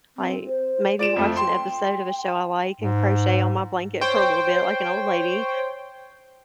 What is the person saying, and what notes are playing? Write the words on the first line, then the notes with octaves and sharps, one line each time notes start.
like, maybe watch an episode of a show I like and crochet on my blanket for a little bit like an old lady,
C4
C5
F4 D5 D7 E7
F2 A3
G5 C6
G#2
C5 C#5 G5